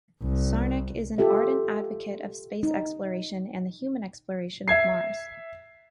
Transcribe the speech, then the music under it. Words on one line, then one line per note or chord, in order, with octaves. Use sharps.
Czarnik is an ardent advocate of space exploration and the human exploration of Mars.
C2
F4 G4 A4 E5
D#4
E5 G#6 C7